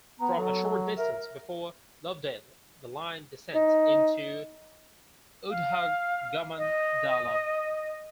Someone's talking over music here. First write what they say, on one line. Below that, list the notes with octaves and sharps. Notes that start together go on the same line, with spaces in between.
From a short distance before Lovedale, the line descends into Udhagamandalam.
B3 A#5
F#3 A4
A#4 E5
D#4
F5
D#5